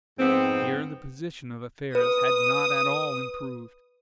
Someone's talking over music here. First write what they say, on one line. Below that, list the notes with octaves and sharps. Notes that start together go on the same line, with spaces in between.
Here the position of affairs had not at all improved.
F2 G#2 B3 C4
B4 D#6